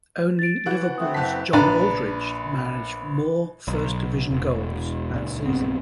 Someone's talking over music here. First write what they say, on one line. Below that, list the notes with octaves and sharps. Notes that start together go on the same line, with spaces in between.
Only Liverpool's John Aldridge managed more First Division goals that season.
A6 D7
E3 F#4 F#6
A3 B3 C4 E5 D#6
F#1 A5 F#6 B6
A#1 D4 B4 A#5 B5
B1
E1
C#2 A#2
B1 G2 B3 C4